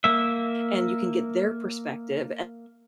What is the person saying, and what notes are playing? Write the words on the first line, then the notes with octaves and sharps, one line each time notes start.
and you can get their perspective and
A#3 E5